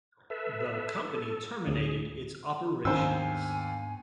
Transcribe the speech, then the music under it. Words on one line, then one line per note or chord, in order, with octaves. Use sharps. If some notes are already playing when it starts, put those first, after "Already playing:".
The company terminated its operations.
A4 B4 E5
A4
D2 G#4
D#2 G#2 D#3 B3 D4 C5 G#5 E6